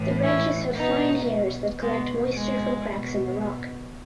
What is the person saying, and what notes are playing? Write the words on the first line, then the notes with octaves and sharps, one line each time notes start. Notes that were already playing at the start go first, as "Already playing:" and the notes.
The branches have fine hairs that collect moisture from cracks in the rock.
Already playing: A2 E3
C#4 E4
B2 B3 D#4
B2 G#3 B3
G#3
B2